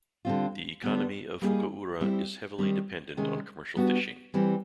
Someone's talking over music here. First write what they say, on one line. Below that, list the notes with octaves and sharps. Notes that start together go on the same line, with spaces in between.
The economy of Fukaura is heavily dependent on commercial fishing.
D3 G3 C4 F4
D3 G3 B3
G3 A#3 D#4 G#4
G3 C4 E4
D#3 G3 C4
C3 D#3 G#3 C#4
G3 B3 D4 F#4
E3 G3 C4